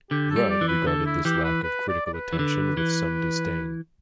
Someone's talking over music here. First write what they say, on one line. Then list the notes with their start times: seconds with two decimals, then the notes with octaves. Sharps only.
Rudd regarded this lack of critical attention with some disdain.
0.10 D3 G4
0.30 A4
0.36 G3
0.50 D5
0.61 E3
0.68 B4
0.87 D3 A4
1.06 E4
1.25 E3 G4
1.44 B4
1.63 B4
1.88 D5
2.06 D5
2.14 B4
2.33 E3
2.39 D3
2.77 E3